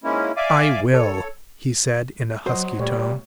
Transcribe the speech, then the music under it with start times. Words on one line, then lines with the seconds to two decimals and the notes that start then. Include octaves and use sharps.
"I will," he said, in a husky tone.
0.04 G#2 G#3 A#3 C#4 E4
0.37 D5 E5 F5 G#5 D6
0.93 A4 C#5
2.46 F#3 F#4 C5 D#5
2.79 A#2 G3 A3 C#5